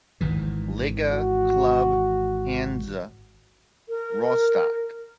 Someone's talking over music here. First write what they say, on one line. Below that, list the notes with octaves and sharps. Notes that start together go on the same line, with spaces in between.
Liga club Hansa Rostock.
G#1 D#3 E3
F#4
A#4